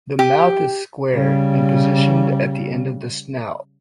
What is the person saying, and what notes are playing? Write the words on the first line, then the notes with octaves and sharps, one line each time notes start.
The mouth is square, and positioned at the end of the snout.
G4
C#3 G3